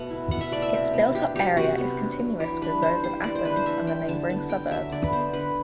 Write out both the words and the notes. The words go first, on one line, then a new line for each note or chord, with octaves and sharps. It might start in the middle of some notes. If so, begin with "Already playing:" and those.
Its built-up area is continuous with those of Athens and the neighbouring suburbs.
Already playing: B2 A3 F#5
E4
B2 F#5
E5
A3 D5
E5
C3
B3
D4 G4
F#3 G4
C3 F#4
B3
D4
F#3
E3 G4
D4 B4
E3 C5
G3 C5
E3 D5
C5
D4 B4
C5
E3 E5
G3 G5
D3 A5
B3 A5
D3 G5
F#3 E5
D3 D5
B4
B3 C5
D3 B4